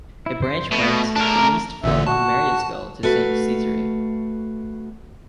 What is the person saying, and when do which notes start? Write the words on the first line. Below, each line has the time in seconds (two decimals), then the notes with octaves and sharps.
A branch went east from Mariesville to Saint Cesarie.
0.26 E4
0.42 C5
0.72 B2 A3
1.16 D4 A#4
1.84 A1 A#2 D3 E5
2.07 F#4 A5
3.03 A3 F#4 B4 F5